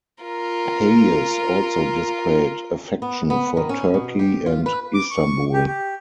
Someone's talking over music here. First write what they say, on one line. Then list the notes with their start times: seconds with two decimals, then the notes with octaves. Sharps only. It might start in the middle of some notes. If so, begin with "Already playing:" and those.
Hayes also displayed affection for Turkey and Istanbul.
0.24 F4 A#4
3.02 B3
3.30 B3
3.57 D#3
3.69 C#4
3.94 B2
4.19 G4
4.46 F4
4.66 B4
4.94 D6
5.11 C#6
5.54 G4
5.67 G4